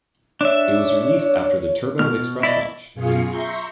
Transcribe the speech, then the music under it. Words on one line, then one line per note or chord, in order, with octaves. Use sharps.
It was released after the TurboExpress launch.
D4 C#5 E5
B2 F6
E4 D5 D#5
F#2 B2 F4 G#4 F5 C#7
E5 A#5 C6 C#6 G6